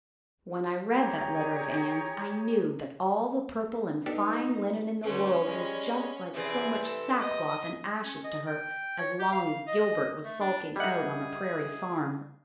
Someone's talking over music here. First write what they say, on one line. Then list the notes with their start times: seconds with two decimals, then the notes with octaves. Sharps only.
When I read that letter of Anne's, I knew that all the purple and fine linen in the world was just like so much sackcloth and ashes to her as long as Gilbert was sulking out on a prairie farm.
0.91 G4 G#4 C#5 A#5
4.06 B3 D4 D#4 G4 A4
5.04 A#2 D3 C#4
5.46 G3 G#3
6.34 C3 E3 G#4 D5
6.82 A4
7.19 D#5
8.04 C#4
8.24 D#5
8.47 G5
8.98 C#5
9.19 G4
9.33 F5
9.67 D#5
10.24 A3
10.41 D4
10.76 G3 G#4 A4 D#5 E5 F#5